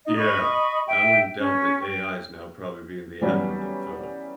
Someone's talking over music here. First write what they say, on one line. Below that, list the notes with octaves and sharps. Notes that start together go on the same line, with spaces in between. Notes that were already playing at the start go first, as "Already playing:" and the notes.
Yeah. I wouldn't doubt that AI is now probably being the advent of, uh,
D#4 D#5
D#5 B5 C#6
E5 G5
C#4
G5
E3 F#3 G3 B3 C#4